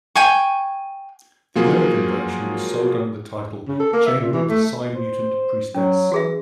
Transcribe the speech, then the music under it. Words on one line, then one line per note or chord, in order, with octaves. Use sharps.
The American version was sold under the title Chamber of the Sci-Mutant Priestess.
G5 G#5 C#6
F3 F#3 A#3 F4 G#4
C#3
A4
A#3
E5
A#2
E3
A3
C5
F#3 C#4
E3 F#4 G#4 E5